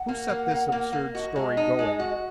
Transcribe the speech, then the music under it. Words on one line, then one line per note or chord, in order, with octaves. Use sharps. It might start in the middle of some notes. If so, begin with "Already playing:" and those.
"Who set this absurd story going?"
Already playing: F#5
A#3
A#3
A#3
A#3
A#3
F#4 D#5
G#3
D#4
G#3
F#4